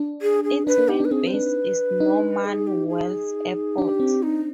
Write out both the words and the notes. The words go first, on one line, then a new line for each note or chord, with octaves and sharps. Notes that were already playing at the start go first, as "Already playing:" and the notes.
Its main base is Norman Wells Airport.
Already playing: D4
G#4
G#4
D4 B4
D4
D#4 G4
D4 B4
C4 G#4
C5
D4 B4
D#4
G#4
G4
G#4
D4 G4
C4
D#4